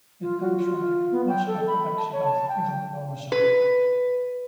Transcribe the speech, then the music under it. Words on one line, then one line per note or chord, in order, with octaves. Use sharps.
It comes from the Moscow collection of Ivan Morozov.
F4
F#4
F4
B3
G5
A4
B5
A5
C#5
A5
G5
B4